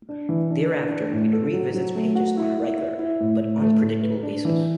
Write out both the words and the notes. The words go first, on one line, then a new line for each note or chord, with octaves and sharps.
Thereafter it revisits pages on a regular, but unpredictable basis.
D4
E3
D4
D4
D4
A2
A4
F#3
F#3
A3
F#4
E4
E4
E4
E4
A2
A2
A3
A2
B4
D4
E3